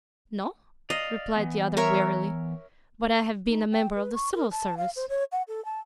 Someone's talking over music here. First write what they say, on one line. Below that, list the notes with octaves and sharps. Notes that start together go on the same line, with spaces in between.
"No," replied the other warily, "but I have been a member of the CIVIL Service."
D5 D#5 F5
E3 B3
A#4 C#5 E5
D#4
G5
B4
C#6
A#4
A5
F5
C5
C#5
F#5
A4
A5